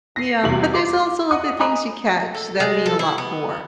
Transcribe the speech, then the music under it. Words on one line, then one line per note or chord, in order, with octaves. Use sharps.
Yeah, but there's also other things you catch that mean a lot more.
A#6 C7
E2 C3 G3 F#4 F#7
C6 D6
D#5 F#5 D#6
D#5 G#5 A#5 B5 D#6
A4
G#3
A4
E4
B3